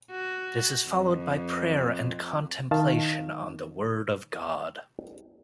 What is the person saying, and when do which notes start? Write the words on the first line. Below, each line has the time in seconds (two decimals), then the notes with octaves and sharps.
This is followed by prayer and contemplation on the Word of God.
0.11 F#4
0.89 F2
2.71 D#3 F5 A5